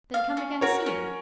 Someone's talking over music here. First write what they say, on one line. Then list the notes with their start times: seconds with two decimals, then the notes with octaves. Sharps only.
Then come again soon.
0.14 F5
0.37 C#4
0.61 F#4 A#4 C#5
0.86 C#4